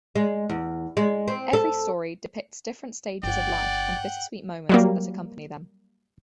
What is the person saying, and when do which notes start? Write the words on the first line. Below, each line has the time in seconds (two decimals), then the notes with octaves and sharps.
Every story depicts different stages of life and bittersweet moments that accompany them.
0.15 G#3
0.50 E2
0.97 G#3
1.28 C4
1.53 A4
3.23 G1 D5 F#5 G5
4.69 F#3 G3 A#3